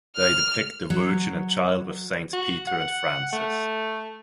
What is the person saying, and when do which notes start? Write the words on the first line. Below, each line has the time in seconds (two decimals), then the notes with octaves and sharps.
They depict the "Virgin and Child with Saints Peter and Francis".
0.17 F6
0.90 F#3
2.33 F#4
2.67 F#5
3.33 A3